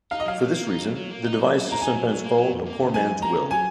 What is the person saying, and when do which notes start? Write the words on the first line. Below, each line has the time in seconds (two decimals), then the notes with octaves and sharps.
For this reason, the device is sometimes called a "poor man's will".
0.11 D#4 F5
0.20 D#5
0.26 F#3 F5
0.40 F#3
0.54 A#3
0.68 D#4
0.82 F#3
0.96 F#3
1.10 A#3
1.24 D#4
1.39 F#3
1.53 F#3
1.67 A#3 A#5
1.80 D#4 G#5
1.95 F#3
2.09 F#3
2.24 A#3
2.37 F#3
2.52 F2
2.66 A#3
2.80 C#3
2.94 F#3 G#5
3.09 F2
3.22 A#3 A#5
3.36 C#3
3.50 F#3 G#5